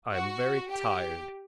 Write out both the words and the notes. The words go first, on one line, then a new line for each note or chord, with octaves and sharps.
I am very tired.'
F#4
G4